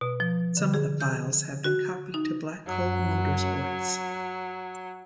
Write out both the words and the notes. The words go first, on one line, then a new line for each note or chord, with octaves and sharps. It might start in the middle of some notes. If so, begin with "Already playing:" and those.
Some of the files have been copied to Blackhole Motorsports.
B2
F3
D3
G#4
G6
F#4
D#4
F#2 F#3